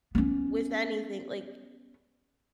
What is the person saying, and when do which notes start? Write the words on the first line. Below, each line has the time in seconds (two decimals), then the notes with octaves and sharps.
with anything like,
0.15 B3 C#4